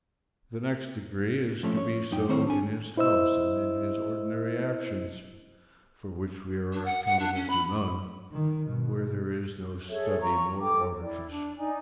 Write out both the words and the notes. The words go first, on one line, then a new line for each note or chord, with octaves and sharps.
The next degree is to be so in his house, and in his ordinary actions, for which we are accountable to none, and where there is no study nor artifice.
F3 A3 C#4
C#5
F#2 D#4 G5
A2 D#3 C4 C5 C#5
D4 G#5
E4 C5 D#5 E6
D4
F#5
F#5
D4
C#4
B5
D#3
B2
G#4 A4 C#5 E5
F4 A#5 C#6
A4 G5 D6
E4 D5
D4
D#4 D5 G#5